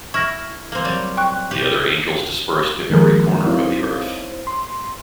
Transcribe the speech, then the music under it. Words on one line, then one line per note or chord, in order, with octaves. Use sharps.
The other angels dispersed to every corner of the Earth.
E4 C#6 F6 A#6
A#3 C4
F#3 G3
G5 C#6 F#6
G4 B4
D#3 F3 G#3 A#3 G#4 A#4
C4 D#4 E4 C5 C#5 F5
C6